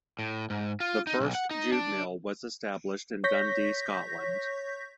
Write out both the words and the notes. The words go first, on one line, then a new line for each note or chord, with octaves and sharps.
The first jute mill was established in Dundee, Scotland.
A2
G#2
F4
D#4
B1
F#5
D#4
D4
C#5 C#6 G6 A#6 B6